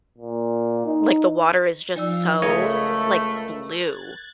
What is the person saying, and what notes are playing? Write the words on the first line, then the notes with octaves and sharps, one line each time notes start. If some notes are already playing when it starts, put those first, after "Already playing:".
like, the water is just so, like, blue
A#2
D#4
F3 D#4 D5 F5 E6
C#2 A3 G#4 A#4 C#5 D#5 F5 B5
F#6 G#6 A6